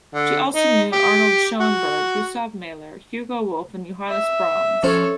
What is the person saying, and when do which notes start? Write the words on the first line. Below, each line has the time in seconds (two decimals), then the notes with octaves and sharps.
She also knew Arnold Schoenberg, Gustav Mahler, Hugo Wolf and Johannes Brahms.
0.14 D3
0.55 D#4
0.93 G4
1.61 F#4
4.08 E5
4.83 F3 C#4 A4 C5 C#5